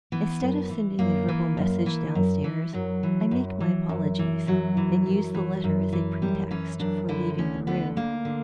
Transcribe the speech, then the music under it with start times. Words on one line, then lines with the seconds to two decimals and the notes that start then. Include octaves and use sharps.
Instead of sending a verbal message downstairs, I make my apologies, and use the letter as a pretext for leaving the room.
0.12 E3 B3
0.41 F#2
0.70 E3
0.99 F#2 A#3
1.28 E3
1.57 F#2
1.86 E3
2.15 F#2
2.44 E3
2.73 F#2 F#3
3.03 E3
3.31 F#2
3.60 E3
3.89 F#2
4.19 E3
4.47 F#2 F#3
4.77 E3
5.06 F#2
5.35 E3
5.64 F#2
5.92 E3
6.22 F#2 G3
6.51 E3 C#4
6.80 F#2 D4
7.09 D3 E4
7.38 D2 C#4
7.67 D3 B3
7.96 D2 A#3
8.25 D3